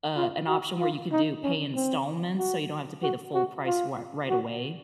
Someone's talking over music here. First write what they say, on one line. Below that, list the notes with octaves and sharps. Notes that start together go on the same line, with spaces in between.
uh, an option where you could do pay installments, so, you don't have to pay the full price r right away
F4
F#4
F4
D#4
C#4
C4
F#4
F#4
F#4
F4
F#4